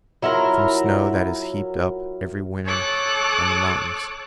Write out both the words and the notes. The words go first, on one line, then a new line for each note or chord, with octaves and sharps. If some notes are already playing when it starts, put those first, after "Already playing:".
"From snow that is heaped up every winter on the mountains."
F#3 E4 F4 A#4
A4 C#5 D6 D#6 F#6